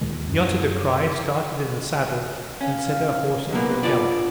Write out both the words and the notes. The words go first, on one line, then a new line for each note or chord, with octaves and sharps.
She uttered a cry, started in the saddle, and set her horse into a gallop.
D#2 A#2 D#3 G#3
F#2
C#4 F5
B1 F#3 A#3 B3
D4 F4 D5